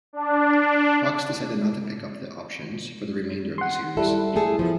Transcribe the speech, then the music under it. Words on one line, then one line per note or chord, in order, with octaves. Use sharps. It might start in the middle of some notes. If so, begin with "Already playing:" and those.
Fox decided not to pick up the options for the remainder of the series.
D4
F#5 C6
G3 E4 A4
A3 G#4 A4
F3 B3